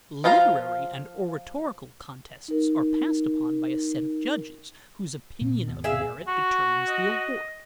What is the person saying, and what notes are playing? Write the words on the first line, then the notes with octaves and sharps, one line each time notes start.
Literary and oratorical contests are passed upon by a set of judges whose opinion of merit determines the award.
F3 F4 C5 F5 A#5
D#4 A#4
A#2 A#3 C4
G#1 D#2 B2
G#4 E5 F5
F#4 C#6
D#5